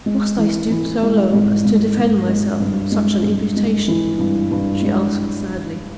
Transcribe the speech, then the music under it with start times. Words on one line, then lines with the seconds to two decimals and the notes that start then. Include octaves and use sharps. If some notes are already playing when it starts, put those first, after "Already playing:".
"Must I stoop so low as to defend myself from such an imputation?" she asked, sadly.
0.06 G#3
0.38 E3
0.70 E3
1.02 G#3
1.33 G#2
1.65 G#2
1.97 G#2
2.28 G#3
2.60 G2
2.92 G#3
3.24 G2
3.56 G#3
3.88 E3
4.19 G2
4.51 G2
4.82 G#3